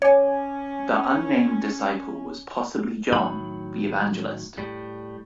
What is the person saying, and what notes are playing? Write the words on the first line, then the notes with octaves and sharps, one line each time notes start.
The unnamed disciple was possibly John, the evangelist.
C#4 C#5 G#5 D6 G#6
A2 D#3 F#3 B5
A2 G3